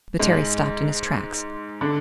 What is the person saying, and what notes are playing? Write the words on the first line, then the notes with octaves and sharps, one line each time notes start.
But Terry stopped in his tracks.
G#2 G#3
D3 D4